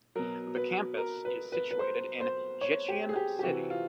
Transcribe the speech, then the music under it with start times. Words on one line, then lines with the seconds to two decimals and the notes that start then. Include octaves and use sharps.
The campus is situated in Jecheon City.
0.15 B2 F#3 A#4
0.56 B4
0.97 A#4
1.25 B4
1.52 B4
1.71 B4
1.79 C5
2.20 C5
2.61 C#5
2.88 G4
3.09 G#4
3.16 G4
3.39 G4
3.43 C3 E3 F#4
3.70 F4